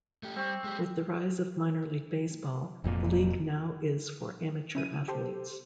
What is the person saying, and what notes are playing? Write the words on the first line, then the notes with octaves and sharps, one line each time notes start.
With the rise of Minor League Baseball, the league now is for amateur athletes.
A3 G4
G3 C4 C#6
G#3 G4
F1 F2 A#2
C#4 E4 D#7
G4 A4 C5